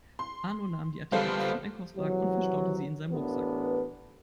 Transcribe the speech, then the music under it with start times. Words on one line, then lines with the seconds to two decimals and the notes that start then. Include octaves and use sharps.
Arno nahm die Artikel aus dem Einkaufswagen und verstaute sie in seinem Rucksack.
0.19 C6
1.12 G3 B3 A4 C5 F5
1.97 C3 E3 F#3
3.11 A1 B3 D4 A#4 B4